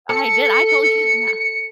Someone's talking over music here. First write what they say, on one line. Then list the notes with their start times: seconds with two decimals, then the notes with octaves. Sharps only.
I did, I told you that.
0.09 A4 C#7